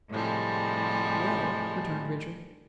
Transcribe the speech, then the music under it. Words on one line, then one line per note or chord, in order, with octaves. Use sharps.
"Well," returned Richard.
A2 C3 F3 G3 G#3